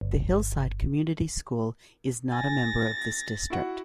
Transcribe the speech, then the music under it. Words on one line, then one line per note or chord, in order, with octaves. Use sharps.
The Hillside Community School is not a member of this district.
G1
G#5 A6 A#6
E4 F#4 F#5